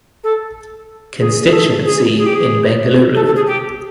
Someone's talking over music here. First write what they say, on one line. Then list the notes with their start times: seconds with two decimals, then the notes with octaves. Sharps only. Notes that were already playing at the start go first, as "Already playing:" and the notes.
Constituency in Bengaluru.
0.23 A4
1.20 G#4
1.42 G#4
1.52 A4
1.85 G#4
2.17 G#4
2.26 G4
2.35 G#4
3.15 A4
3.26 A4
3.36 G#4
3.46 G4